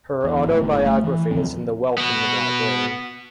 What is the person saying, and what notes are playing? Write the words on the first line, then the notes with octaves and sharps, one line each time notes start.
Her autobiography is in the Wellcome Library.
E2
G1 A2
A3
E3
D#2 C#3 F3 C4
B3 F#4